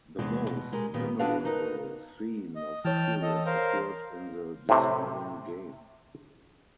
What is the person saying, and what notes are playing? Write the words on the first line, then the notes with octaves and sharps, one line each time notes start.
The most memorable scene of the series occurred in the deciding game.
E2 C3 G#3 A3
B2
G#3 G4 A#4
A#2 D#3 B3 F4 G4
B3 D4 F#4 B4 C#5 F5
D#4 A#4 B4 D#5
D#5
E3 C#5 G5 A5 F6
A4 D#5
A#4 C5 F5
A2 C3